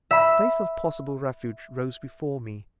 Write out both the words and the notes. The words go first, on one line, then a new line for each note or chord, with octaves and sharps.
The place of possible refuge rose before me.
E5 B5